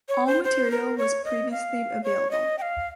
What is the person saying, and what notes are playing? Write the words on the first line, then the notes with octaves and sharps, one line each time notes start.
All material was previously available.
C#5
C5
C5
A#4
C#5
D#5
F5
C#5
D#5
G5
F5